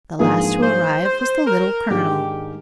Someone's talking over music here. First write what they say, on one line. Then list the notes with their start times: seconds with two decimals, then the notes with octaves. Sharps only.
The last to arrive was the Little Colonel.
0.19 G#2 F3 A#3 D4 F4 G#4
0.62 C5
1.05 C5
1.47 A#4
1.90 G#2 D#3 G#3 D4 G4